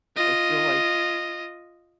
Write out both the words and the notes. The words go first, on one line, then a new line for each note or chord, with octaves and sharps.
I feel like
F4 D#5